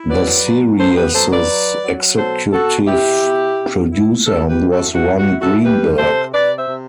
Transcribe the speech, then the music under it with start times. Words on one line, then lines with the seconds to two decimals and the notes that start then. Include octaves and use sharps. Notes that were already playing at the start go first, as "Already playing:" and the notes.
The series' executive producer was Ron Greenberg.
Already playing: E4
0.09 F#3 B4 D5
0.45 F#3
0.78 B3 A4 C5
0.96 G4 B4
1.14 F#3 A4 C5
1.31 B4 D5
1.49 F#3
1.83 F#3
2.17 B2 A4 C5
2.52 B2 F#4 A4
2.87 B2 E4 G4
3.22 B2
3.57 B2
3.91 E4
4.26 E4 F#4 A4
4.49 G4 B4
4.60 E4
4.72 F#4 A4
4.95 G3 F#4
5.18 F#4
5.30 E4
5.41 F#4 A4
5.64 G3 G4 B4
5.99 C3 A4 C5
6.33 C3 B4 D5
6.58 C5 E5
6.68 C3